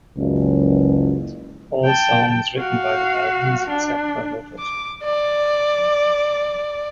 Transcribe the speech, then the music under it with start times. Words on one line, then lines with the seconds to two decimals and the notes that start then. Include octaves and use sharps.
All songs written by The Melvins except where noted.
0.17 F#1 C#2
1.85 G5 A5
2.57 F#4 F5
3.69 D4
4.59 D6
5.04 D5